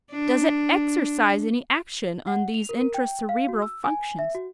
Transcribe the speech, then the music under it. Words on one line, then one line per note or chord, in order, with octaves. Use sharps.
Does it exercise any action on these intra-cerebral functions?
D4
F#5
F7
A#4
A#4
G5
F5
F#4
E6
G#5
E5
F#4